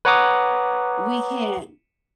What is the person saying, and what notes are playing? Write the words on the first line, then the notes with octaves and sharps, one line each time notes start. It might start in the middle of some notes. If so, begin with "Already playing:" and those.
We can't.
B4 C#5 F#5 A#5 D6 D#6